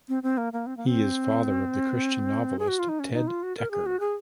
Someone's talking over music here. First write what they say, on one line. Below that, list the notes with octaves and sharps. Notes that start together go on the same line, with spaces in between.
He is father of the Christian novelist Ted Dekker.
C4
C4
A#3
A#3
C4
A#3
C4
G#4
F#4
F4
D#4
C#4
D#4
F4
F#4
A#4
G#4
F#4
G#4